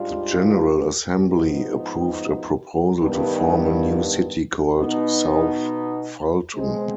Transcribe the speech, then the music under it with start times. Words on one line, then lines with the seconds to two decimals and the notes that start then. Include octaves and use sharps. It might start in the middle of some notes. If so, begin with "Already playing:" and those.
The General Assembly approved a proposal to form a new city called South Fulton.
Already playing: G#2 G3 D4 F4
1.21 G#2 F3 B3 D#4
2.99 G2 D#3 B3
4.77 B2 B3 D#4
6.55 B2 G#3 C4